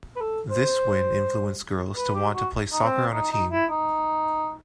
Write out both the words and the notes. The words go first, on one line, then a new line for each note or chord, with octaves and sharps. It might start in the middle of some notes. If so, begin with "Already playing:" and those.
This win influenced girls to want to play soccer on a team.
B4
A4
C5
B4
G4
F#4
D#4
C4
D#4
D#4
E4
D#4